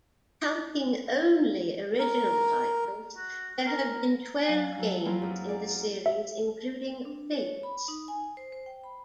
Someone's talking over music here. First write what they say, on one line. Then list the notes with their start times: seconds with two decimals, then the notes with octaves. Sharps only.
Counting only original titles, there have been twelve games in the series including "Fates".
1.99 A#4
3.17 F#4
3.67 A#4
4.45 F#3 F5 G#5
4.78 F#3 A4
5.04 F#3 A#3 C4 E4 F4
5.22 F#2
5.48 D5
6.06 E5
7.05 D4
7.32 C#5
7.63 B5
7.88 D#4
8.08 G#5
8.37 C5
8.52 C5
8.66 G5
8.84 B5